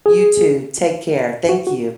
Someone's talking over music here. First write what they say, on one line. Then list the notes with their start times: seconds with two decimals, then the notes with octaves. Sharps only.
You too. Take care. Thank you.
0.06 G#4
1.49 F#4
1.67 F#4